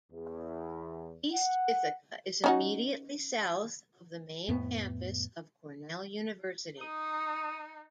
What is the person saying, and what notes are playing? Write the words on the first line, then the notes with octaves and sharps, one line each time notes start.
East Ithaca is immediately south of the main campus of Cornell University.
E2
F#5
C#4 D#4 F#4
F2 A2 B3
D#4 D#6